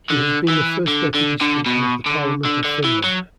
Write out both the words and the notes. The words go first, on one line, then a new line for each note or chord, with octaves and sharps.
He has been the First Deputy Speaker of the Parliament of Finland.
D3
E3
D3
D3
D3
B2
D3
D3
D3
E3
F#3